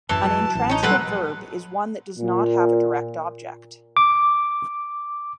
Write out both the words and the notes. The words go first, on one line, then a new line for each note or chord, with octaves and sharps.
An intransitive verb is one that does not have a direct object.
A1 F#2 E3 A5
F#3
A1
C#4 D#4
A#2 F#3 G3 A4 B4 F#5
A#2
D6